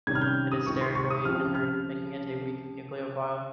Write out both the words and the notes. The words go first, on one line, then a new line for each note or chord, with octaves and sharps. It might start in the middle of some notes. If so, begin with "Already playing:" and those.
It is sterically hindered, making it a weak nucleophile.
C3 D#3 G3 C#4 G#6
F6
G6
D#6
C#2 C3 D#3 C#6
C6
C#6
D#6
C#3 F3 C4 G4 F6
F6